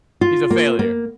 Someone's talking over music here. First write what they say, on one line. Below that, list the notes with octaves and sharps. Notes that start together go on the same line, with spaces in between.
He's a failure,
F4
A#3
A#3